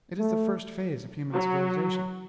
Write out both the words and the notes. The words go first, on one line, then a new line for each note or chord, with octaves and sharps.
It is the first phase of human civilization.
A3
F#3